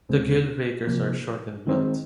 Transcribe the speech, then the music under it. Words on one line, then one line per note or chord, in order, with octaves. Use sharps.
The gill rakers are short and blunt.
D#2 C#3 G#3 C4
C3 F3 A#3
D#3 G#3 C4 D#4